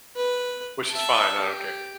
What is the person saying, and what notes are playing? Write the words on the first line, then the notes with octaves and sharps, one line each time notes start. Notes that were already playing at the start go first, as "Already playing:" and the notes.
which is fine, I don't care,
B4
E5 A5
G4